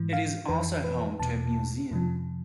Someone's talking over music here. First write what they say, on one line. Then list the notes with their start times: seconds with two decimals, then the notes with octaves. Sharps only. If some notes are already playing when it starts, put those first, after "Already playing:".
It is also home to a museum.
Already playing: G#2 E3
0.13 F5
0.48 F2 E3 B4
0.84 B4
1.19 E2 B2 A5
1.91 F2 C3 F3